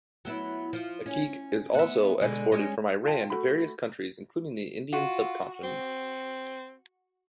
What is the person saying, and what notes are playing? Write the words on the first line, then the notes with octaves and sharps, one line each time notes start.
Akik is also exported from Iran to various countries including the Indian subcontinent.
F#3 B3 E4
F3
C#4
B3 E5
B2 D3 G#3
G#3 C#4
F4 G5 A5
A3 F#4 B5
F4 F#4
C4